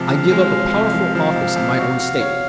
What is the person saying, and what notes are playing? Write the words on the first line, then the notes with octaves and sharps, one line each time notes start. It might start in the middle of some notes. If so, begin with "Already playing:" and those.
I give up a powerful office in my own state.
Already playing: C3 F3 G#3 C4 F5
F3
G#3
G#3
C3
F3
F3 F5
C3
C3
F#4
F#4
C#5